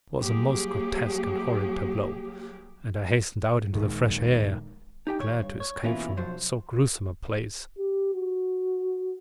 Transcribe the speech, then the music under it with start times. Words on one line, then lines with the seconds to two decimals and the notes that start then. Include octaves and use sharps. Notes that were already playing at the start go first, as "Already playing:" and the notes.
It was a most grotesque and horrid tableau and I hastened out into the fresh air; glad to escape from so gruesome a place.
0.20 F#3 G3 A#3 G4 G#4
3.73 D#1 A#1 D#3 G#3
5.07 D#4 G4 G5
5.19 D#2 C#5
5.42 G2
5.60 C#5
5.83 B2 E3 A#3 C#4 E4 F4
6.17 B1 F2 F3 F#3 C5
7.78 G4
8.14 F#4